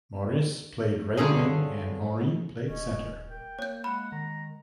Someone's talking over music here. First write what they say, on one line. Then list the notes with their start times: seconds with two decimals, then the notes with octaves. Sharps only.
Maurice played right wing and Henri played centre.
1.17 G2 D3 C#4 G#4
2.69 D#1 C#4 D#5
3.30 A#4 G5
3.59 A#3 C#5 G6
3.84 G#3 F#5 B5
4.12 D#3 A#5